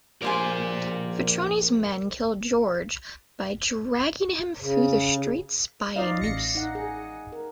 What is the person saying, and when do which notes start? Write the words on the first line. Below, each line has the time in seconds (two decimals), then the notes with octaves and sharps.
Vitroni's men kill George by dragging him through the streets by a noose.
0.22 A#1 G4 A#4 C5 D5 G#5
4.62 C#3
5.96 D#4 F4 D5 D#5 F5
6.21 A1 A#6 C#7
6.55 D#4 F#5
6.75 G#4
7.32 A#4